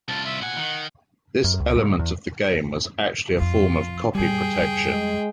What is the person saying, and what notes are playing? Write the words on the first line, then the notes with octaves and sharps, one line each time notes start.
This element of the game was actually a form of copy protection.
C2 F4 A5
E5
A#2 F#5 G#5
D#3
F#2
C#2
G#2
E2
A1 F2 F4
F#2 A#2 G3 G#4 G5
F2
G#3